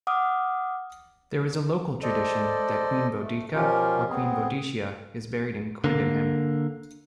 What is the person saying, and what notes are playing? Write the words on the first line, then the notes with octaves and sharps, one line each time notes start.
There is a local tradition that Queen Boudica or Boadicea is buried in Quidenham.
F#5 D6 D#6 F6
A4 C5 D5 D#5
A3
B2 F3 C#4 F4 G4 A#4
B3 C4 G#4
D3 A#3